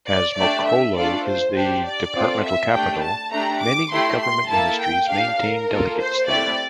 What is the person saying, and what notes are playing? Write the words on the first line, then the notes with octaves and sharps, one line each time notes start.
As Mokolo is the departmental capital, many government ministries maintain delegates there.
D5
A3 D4 G4 D5
E5
A3 D4 F4 A4 D5
C5
D4 G4 C5
D5
C4 F4 A4
E5
A3 D4 G4 G5
A5
A3 D4 G4 A#5
D6
A3 E4 G4 C6
C6
A#3 E4 A4 A5
G5
D4 G4 F5
A#4
A#3 F4 A4
C5
A3 C4 E4 G4 D5